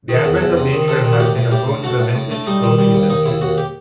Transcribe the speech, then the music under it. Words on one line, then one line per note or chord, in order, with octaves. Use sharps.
The advent of the internet has been a boon to the vintage clothing industry.
D#3
A4
E2
A4
E2
C3
D#3
C3 A4
D#3
F#4
A2 G4
A2
A2 G4
A2
A3 F#4
A2
A2
A3
G3 D#4
D#3
G3
D#2
D#2 D#4
D#2 E4
D#2 F#4
G4